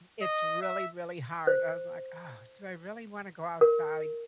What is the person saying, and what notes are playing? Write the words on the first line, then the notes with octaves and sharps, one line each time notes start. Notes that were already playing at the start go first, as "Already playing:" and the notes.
it's really, really hard, I was like, "Ugh. Do I really wanna go outside?"
D#5
E5
C5
A#4